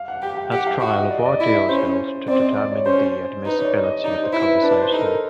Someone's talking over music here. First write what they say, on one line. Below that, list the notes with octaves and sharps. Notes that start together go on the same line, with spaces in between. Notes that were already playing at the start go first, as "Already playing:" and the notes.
At trial, a voir dire was held to determine the admissibility of the conversation.
Already playing: F5
F#5
G4 G5
G5
G4 F#5
F5
F#4 E5
D#5
D5
D#5
D5
D#5
E4 D5
C#4 C5
C4 D5
D#5
D5
C#5
C#4 C5
D#4 B4
C#5
D5
D#5
D#4 D5
C5
E4
B4
D4 B4
C5
D#4 A4
A#4